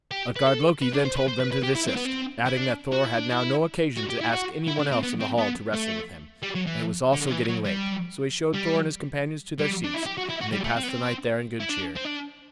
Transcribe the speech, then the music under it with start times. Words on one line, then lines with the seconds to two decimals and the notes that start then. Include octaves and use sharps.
Utgard-Loki then told them to desist, adding that Thor had now no occasion to ask any one else in the hall to wrestle with him, and it was also getting late; so he showed Thor and his companions to their seats, and they passed the night there in good cheer.
0.11 G4
0.36 B4
0.47 A4
0.82 B4
0.93 D4
1.05 C5
1.17 B4
1.28 C5
1.40 B4
1.52 B4
1.63 G4
1.75 E4
1.87 C4
1.96 B3
2.05 C4
2.46 E4
2.57 D4
2.92 F#4
3.05 E4
3.18 D4
3.31 E4
3.97 F#4
4.10 G4
4.21 E4
4.33 F#4
4.68 E4
4.79 D4
4.91 C4
5.03 B3
5.20 C4
5.38 B3
5.73 A3
6.43 G3
6.55 F#3
6.67 E3
7.13 D3
7.27 D3
7.31 E3
7.49 F#3
7.65 G3
8.54 G3
9.59 G3
9.84 D4
9.94 E4
10.06 G4
10.18 F#4
10.30 E4
10.41 F#4
10.52 G3
10.64 A3
10.76 C4
10.83 B3
10.88 C4
11.60 E4
11.70 D4
11.96 C4
12.05 D4